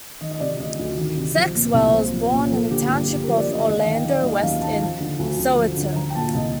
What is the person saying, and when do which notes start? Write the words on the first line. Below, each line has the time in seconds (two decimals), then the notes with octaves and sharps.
Sexwale was born in the township of Orlando West, in Soweto.
0.21 D#3 D#5
0.31 D#5
0.40 C3 D5
0.59 D2 D#5
0.79 D2
0.98 D#3
1.18 C3
1.36 F3
1.55 A#2
1.74 C2
1.94 C2 C5
2.12 F3
2.32 A#2
2.51 F3 A4
2.70 D3 G4
2.89 G2 G4
3.08 G2 G4
3.23 A#4
3.28 F3
3.37 D5
3.47 D3 D#5
3.66 D#2 D#5
3.81 F5
3.86 D#3
3.95 G5
4.05 D#3 D5
4.23 D#2 D#5
4.43 D#2 F5
4.61 D#3 A5
4.81 F3
5.00 D3
5.19 D2
5.39 D2
5.57 F3
5.77 D3
5.96 F3 A#5
6.10 G5
6.15 A#2 A5
6.34 C2 D#5